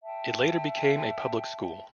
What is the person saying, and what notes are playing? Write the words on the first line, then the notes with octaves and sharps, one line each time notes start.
It later became a public school.
E5 G5 A5